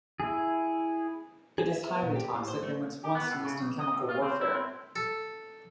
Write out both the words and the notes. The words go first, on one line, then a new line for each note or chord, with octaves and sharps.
It is highly toxic and was once used in chemical warfare.
E4 G#4
G#4
E5
B3
A#2
G4
A2
C5
A3
G4
B3
A2
C#3
B1
D#5
A2
F4
C4
E4
C4
A4